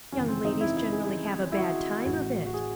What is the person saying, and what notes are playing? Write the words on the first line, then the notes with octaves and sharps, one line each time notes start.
Young ladies generally have a bad time of it.
G#1 F#2 C#3 E3 C#4
C4
D#4
E4
E4
G#4
E4
F#4
A1 A2 E3 F#4
F#4
G#4